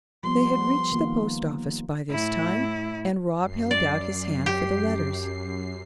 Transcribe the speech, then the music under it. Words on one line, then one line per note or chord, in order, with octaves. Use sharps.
They had reached the post-office by this time, and Rob held out his hand for the letters.
F3 G3 B3 C6
D#3 A#3 F4
A2 E4
F#2 C7
D5
G4